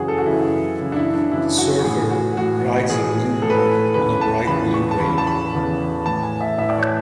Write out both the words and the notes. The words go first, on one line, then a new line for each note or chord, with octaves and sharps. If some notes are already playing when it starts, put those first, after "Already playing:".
The surfer rides a blue board on a bright blue wave.
Already playing: F#2 C#3 E3 F#4 G#4
A4
F#4
F#2 C#3 E3 E4
F#2 C#3 E3
D4
E4
D4
F#2 C#3 E3 E4
F#4
A2 E3 G#4
F#4
A2 E3 F#4
A2 E3 G#4
A2 E3 A4
B4
A4
E2 C#3 E3 B4
A5
E2 C#3 E3 B5
C#6
A5
E2 C#3 E3 B5
A5
B5
E2 C#3 E3
A2 E3 A5
G#5
E5
A2 E3 E5
D5
C#5